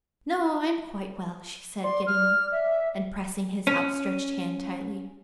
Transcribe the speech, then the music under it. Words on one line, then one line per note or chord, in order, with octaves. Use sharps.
"No, I'm quite well," she said, getting up and pressing his outstretched hand tightly.
D5 C6
F6
E5
C#4